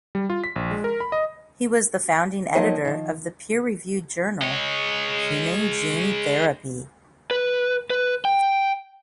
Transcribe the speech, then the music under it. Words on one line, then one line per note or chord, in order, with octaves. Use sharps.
He was the founding editor of the peer-reviewed journal "Human Gene Therapy".
G3
F4
B6
A#1
G#3
A#4
B5
D#5
F3 F#3 A#3 D#4
D#3 F3
G#3 C#5
B4
B4
G5